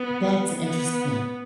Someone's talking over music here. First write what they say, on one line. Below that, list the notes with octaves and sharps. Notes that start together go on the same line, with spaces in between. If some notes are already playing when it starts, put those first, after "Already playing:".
That's interesting,
Already playing: B3
B3